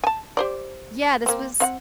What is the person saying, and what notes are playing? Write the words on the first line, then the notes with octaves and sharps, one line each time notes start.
Yeah, this was
G#5 A5
G4 C5 D5
A#3 C4
C4 F5 F#5